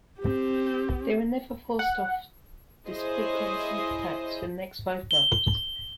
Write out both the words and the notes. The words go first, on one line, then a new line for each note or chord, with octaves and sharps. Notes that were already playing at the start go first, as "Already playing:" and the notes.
They were never forced off despite constant attacks for the next five months.
C4 G4
F#5
E4 G#4 C5 C#5 D#5
G7